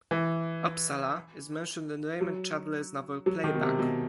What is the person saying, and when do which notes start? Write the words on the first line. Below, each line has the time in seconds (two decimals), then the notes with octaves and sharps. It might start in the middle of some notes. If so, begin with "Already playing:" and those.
Uppsala is mentioned in Raymond Chandler' s novel "Playback".
0.11 E3
2.21 F#3
3.26 F#3
3.44 D#3
3.54 B2
3.62 C3
3.79 B2